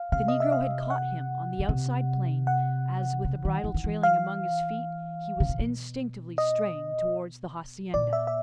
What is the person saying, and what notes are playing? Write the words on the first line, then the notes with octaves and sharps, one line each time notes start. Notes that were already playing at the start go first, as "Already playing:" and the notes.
The negro had caught him, on the outside plain, as, with the bridle trailing among his feet, he was instinctively straying towards the hacienda.
Already playing: F5
C3 F5
D#5
E5
F5
F#5
C#3
C3
F#5
C#3
D#3
E3
D#3
E3
F5
C#3
C3
B2
D#5
A#2 D5
E5
E5